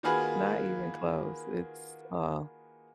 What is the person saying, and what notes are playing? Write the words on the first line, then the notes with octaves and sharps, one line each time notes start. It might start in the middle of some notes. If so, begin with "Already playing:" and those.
not even close. It's, uh
D#3 A#3 F4 F#4 G#4 B4